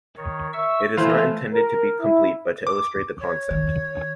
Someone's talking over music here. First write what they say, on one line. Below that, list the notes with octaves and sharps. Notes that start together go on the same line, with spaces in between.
It is not intended to be complete but to illustrate the concept.
D#3 C#5
E5 C#6 E6
E3 A3 F4 B4 C5 F5 G#5
A#4
E4
D6
C#5
D#3